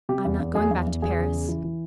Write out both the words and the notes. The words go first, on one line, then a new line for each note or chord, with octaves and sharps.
"I am not going back to Paris."
C3 G4
E2
E2
E2 G#4
E2
E2
E2 G#4
C#3
E3
E3
E3